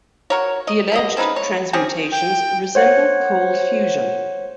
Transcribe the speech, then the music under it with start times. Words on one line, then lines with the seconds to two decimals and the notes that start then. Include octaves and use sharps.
The alleged transmutations resemble cold fusion.
0.30 F#4 A#4 C#5
0.67 D#5
0.92 B2 F#3 D#5
1.17 C4 C#4 D#4 B4
1.36 C#5
1.73 C4 C#4 G4 G#4
2.12 G5
2.75 C5 C#5 F#5